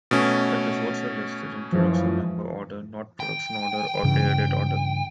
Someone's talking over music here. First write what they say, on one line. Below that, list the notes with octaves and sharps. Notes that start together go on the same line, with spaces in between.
Episodes are listed in production number order, not production order or air date order.
B2 A3 C#4
F#2 E3 F3
G5
G2 C#3 E3